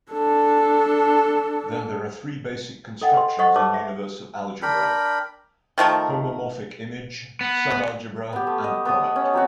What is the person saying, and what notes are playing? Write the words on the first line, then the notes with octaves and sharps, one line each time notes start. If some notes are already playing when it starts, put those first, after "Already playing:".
Then there are three basic constructions in universal algebra: homomorphic image, subalgebra, and product.
D4 A4
A4 D#5 F#5 G5
C6
A4 C5 D#5 F#5 C#6
G4 B4 C#5 A5 D6
E5
D4 A#4 G5 B5
D#3 F3 A3 A#4
B3
B3 G4
A3
D#5
B3 D#6
C#4
F#3 C4 F#4